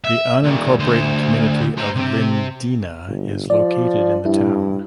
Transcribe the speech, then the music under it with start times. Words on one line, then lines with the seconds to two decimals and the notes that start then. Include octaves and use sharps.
The unincorporated community of Lindina is located in the town.
0.05 E5
0.44 A#2 D#3
0.79 D2 C5
1.78 C5 A#5
1.96 C3 C4
3.08 G1
3.50 F3 D5
4.25 G2 E4